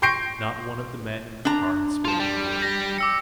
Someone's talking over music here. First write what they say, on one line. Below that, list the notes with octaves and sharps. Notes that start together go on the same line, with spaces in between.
Not one of the men in the car had spoken a word.
C6 C#6 G6 A#6 C7 D7
D4 A#5
F4 A5
G3
A#6
D6 E6 C#7